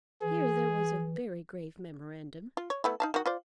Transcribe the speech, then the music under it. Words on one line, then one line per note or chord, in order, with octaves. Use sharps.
Here there was a very grave memorandum.
E3 G#4
F4
C#5
A3 B3 E4
D#4 F5 A5
D#3 F#4
F4 C5 D5